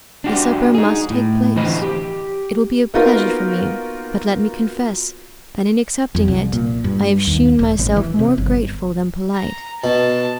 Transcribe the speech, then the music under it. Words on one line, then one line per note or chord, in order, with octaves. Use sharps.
The supper must take place, it will be a pleasure for me, but let me confess that in accepting it I have shewn myself more grateful than polite.
D4 F#4 G4
D#4 G#4
A2
D3 E3 C5 D#5 B5
G4
A#3 B3 D#4 F4 F#4 A#4
F2
C2
A#2
G2
D#2
E1
A1
E3
C3
G1
A#5
B2 A5